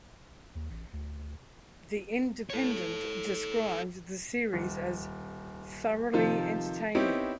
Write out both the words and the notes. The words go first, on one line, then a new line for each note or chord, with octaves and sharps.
The Independent described the series as "thoroughly entertaining".
D#2
A1
D2
A4 C#5
D#1
C3 D#3 F3 F4 A4
B3 C4 D#4 E4 G4 C#5